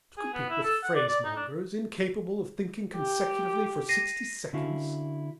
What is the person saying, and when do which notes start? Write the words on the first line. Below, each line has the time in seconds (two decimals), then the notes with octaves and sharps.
To compete with phrasemongers, incapable of thinking consecutively for sixty seconds?
0.17 G#4
0.34 B3
0.50 E4
0.63 A4
0.83 F#5
0.95 D5
1.08 D5
1.24 D#4
1.36 D4
2.96 G4
3.89 A#6 C7 D#7
4.53 D3 C#4 E4 F#4 F5 A5